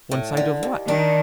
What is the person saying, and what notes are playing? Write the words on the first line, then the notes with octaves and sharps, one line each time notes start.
'One side of WHAT?
A2
D3
D#2
D#3 D4